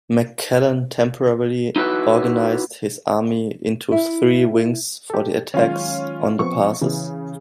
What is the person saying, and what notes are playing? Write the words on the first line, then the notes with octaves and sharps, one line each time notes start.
McClellan temporarily organized his army into three wings for the attacks on the passes.
D#4 E4 F#4 B4
E4
G4 A4
D#3 F#3 G#3 C#4 F4
F3 B3 C4 C#6
C#3 E3